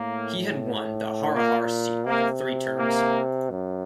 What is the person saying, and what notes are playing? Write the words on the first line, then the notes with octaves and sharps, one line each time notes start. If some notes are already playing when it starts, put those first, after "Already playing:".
He had won the Harihar seat for three terms.
Already playing: A2 A#3
A#2 A#3
C3 A#3
A#3
F#2